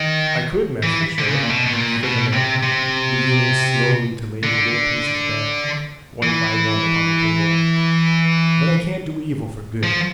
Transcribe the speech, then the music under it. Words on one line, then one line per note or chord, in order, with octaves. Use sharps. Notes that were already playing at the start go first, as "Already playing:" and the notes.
"I could, Master Sheriff," said the man, beginning slowly to lay the gold pieces back one by one upon the table; "but I can't do evil for good."
Already playing: D#3
E3
D3
C#3
A#2
B2
B2
A#2
B2
C3
C3
D3
E3
F3